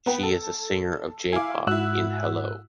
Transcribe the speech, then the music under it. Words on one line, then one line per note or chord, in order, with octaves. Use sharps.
She is a singer of J-Pop in Hello!
B3 B4 G5
A4
E4 F5 G#5 D6
G#2 E4 F#4 E6 F#6